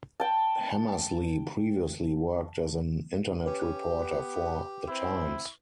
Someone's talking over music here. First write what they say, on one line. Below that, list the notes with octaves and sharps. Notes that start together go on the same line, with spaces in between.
Hammersley previously worked as an internet reporter for "The Times".
G5 A5
C#4 G4 B4
B3
C4 E4